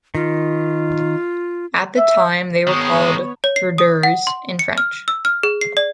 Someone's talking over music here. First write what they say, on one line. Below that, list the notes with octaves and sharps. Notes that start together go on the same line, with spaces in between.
At the time they were called "verdures" in French.
D#3 F4
E5
D#3 G#3 B3 C#5 A#5 D#6
C#5
C7
D#6
F#5
C6
C#7
F6
E6
F6
G#4
C7
D5